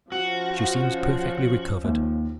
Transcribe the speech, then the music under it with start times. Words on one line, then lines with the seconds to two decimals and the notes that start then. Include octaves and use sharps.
She seems perfectly recovered.
0.12 F3 C#4 F#4
1.84 D#2